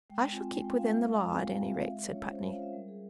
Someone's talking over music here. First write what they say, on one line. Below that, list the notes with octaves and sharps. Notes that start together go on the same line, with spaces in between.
"I shall keep within the law, at any rate," said Putney.
G#3 G5
G5
C4 F4 G#5
G#3 G5
G5
C4 F4 F5
E5
G#3 F5
C4 F4 G#5
G#3 G5
F5
C4 F4 E5
F5
G#3 E5
C#4 F4 C#5
G#3 C5
C#5
C#4 F4 F5
E5
G3 A#4
G#4